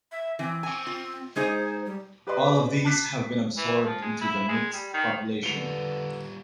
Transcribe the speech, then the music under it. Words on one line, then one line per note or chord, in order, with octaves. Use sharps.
All of these have been absorbed into the "mixed" population.
E5
E3 C4
G#5
F4
G#3 D#4 G#4 C5
G3
G4 B4 D5 D#5 B5 C6
A5 D6 F#6 B6 C7
E3
F3
G#3
E4
G#3
G3
D#3
D3 G3 F4 B4 F7 G7